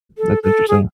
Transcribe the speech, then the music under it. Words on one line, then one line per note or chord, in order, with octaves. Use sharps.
That's interesting.
A4
A4
G#4